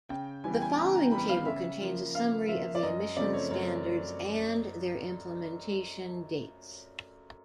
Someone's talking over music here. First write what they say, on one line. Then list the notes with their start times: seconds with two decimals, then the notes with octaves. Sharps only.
The following table contains a summary of the emission standards and their implementation dates.
0.09 C#3 G5
0.44 E3 G3 B3 G#5
0.54 G5
0.62 G#5
0.78 C#3 A#5
0.96 A#5
1.12 E3 G3 B3 B5
1.29 F5
1.45 C#3 E5
1.81 F3 A#3
2.14 C#3 F5
2.48 F3 A#3 E5
2.75 D5
2.83 F#2 D#5
3.17 C#3 F3 A3 C4 D5
3.34 C#5
3.50 F#2 C#5